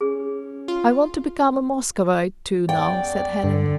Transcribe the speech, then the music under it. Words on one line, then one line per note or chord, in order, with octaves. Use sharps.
"I want to become a Moscovite too, now," said Helene.
C#4 G#4
F4
E2 C#4 D5 G5
G2 D3